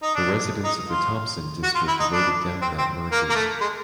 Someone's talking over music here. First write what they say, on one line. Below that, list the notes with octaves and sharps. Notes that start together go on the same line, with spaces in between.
The residents of the Thompson district voted down that merger.
D#4
D4
D#4
F4
F#4
F4
E4
D#4
D4
C4
C4
A#3
A#3
A3
G#3